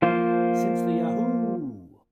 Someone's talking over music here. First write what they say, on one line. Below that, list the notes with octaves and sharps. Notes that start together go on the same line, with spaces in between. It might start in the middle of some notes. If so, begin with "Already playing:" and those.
Since the Yahoo!
F3 A#3 F4 C5